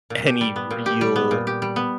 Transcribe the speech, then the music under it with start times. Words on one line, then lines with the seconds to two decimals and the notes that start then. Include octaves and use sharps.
any real
0.10 A#2
0.26 G4
0.41 G3
0.56 B3
0.71 A#2
0.86 G4
1.01 G3
1.16 B3
1.31 A#2
1.47 G4
1.62 G3
1.76 B3